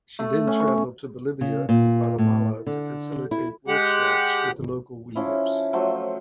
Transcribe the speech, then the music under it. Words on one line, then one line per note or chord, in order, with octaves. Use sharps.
She then traveled to Bolivia and Guatemala to facilitate workshops with local weavers.
A3
C#4
C#6
C#3
A#2
A2
D3
E4
G#3 G4 F#5
F3 C#4 E4
F3 F#3 A3 C5